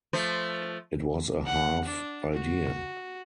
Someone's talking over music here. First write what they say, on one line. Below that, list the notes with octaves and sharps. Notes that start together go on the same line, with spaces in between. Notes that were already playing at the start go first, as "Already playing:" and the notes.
It was a half idea!
F3 A3 C5
F#5
D4
F#4